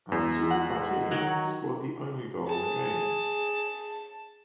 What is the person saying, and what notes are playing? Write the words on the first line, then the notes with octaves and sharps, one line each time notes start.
Ansu Fati scored the only goal in the game.
E2 G#3
F#5
D#3 F#3 C#5 F#5
G#4 A5